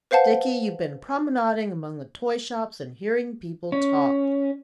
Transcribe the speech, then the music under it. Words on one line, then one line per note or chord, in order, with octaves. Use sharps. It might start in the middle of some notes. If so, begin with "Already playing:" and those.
Dickie, you've been promenading among the toy-shops and hearing people talk.'
B4 C5 F5 F#5 A5
C#4